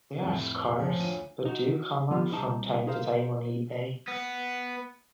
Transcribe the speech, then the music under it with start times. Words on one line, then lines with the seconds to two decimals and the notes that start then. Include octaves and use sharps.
They are scarce but do come up from time to time on Ebay.
0.19 F2 A2
0.79 F3 C#5 G#5
1.00 D2 F4 D#7
1.45 D#4 F#4
2.10 F3 B3 F4 G4
2.31 C2 D#4 A5 A#5
2.86 D#4 G#4 A#4 C5 F5
4.08 B3